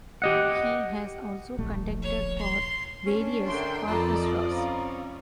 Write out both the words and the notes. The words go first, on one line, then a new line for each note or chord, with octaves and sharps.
He has also conducted for various orchestras.
G4 D#5 F#5
D1 A#1 A3
C#5
C6
C#4 D4
D3 A#4 E5 G5 C6
F2 F4 A4 D5 D#5 A#5 B5
C4 C#4 F5 A#5 B5